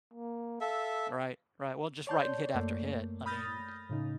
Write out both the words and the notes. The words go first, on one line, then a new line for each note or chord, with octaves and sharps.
Right, right. Well, just writing hit after hit. I mean,
A#3
A4 E5 F5
C#5 D5 A5 C6 G6
F#2 A3 A#3
B5 D#6 F6 G6 A6 A#6
A2 C#3 D#4